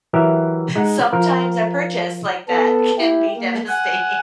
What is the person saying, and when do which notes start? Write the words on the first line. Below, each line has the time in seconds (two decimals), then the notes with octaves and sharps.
sometimes a purchase like that can be devastating
0.13 E3 F#3 G4 A#4 E5
0.76 G#3 D#4 F#5
1.12 F3 A#4
2.48 B3 A4
2.98 E4 G4
3.36 A#3
3.68 F#5 G#5